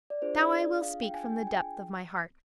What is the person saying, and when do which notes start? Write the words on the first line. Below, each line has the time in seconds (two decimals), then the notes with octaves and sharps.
But now I will speak from the depth of my heart.
0.10 D5
0.22 D4 F4 G#4 C5
0.42 D5
0.62 D#5
0.82 F5
1.03 G5
1.14 G#5
1.25 G5
1.36 G#5
1.47 G5